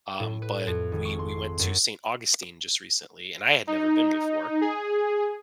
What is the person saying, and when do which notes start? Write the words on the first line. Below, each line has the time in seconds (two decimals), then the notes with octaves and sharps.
um, but we we went to Saint Augustine just recently, and I had never been before,
0.20 A2
0.42 B4
0.67 F2
0.92 G#1
1.05 C#6
1.19 C6
1.31 C7
1.59 F#2
3.67 D#4
4.61 G#4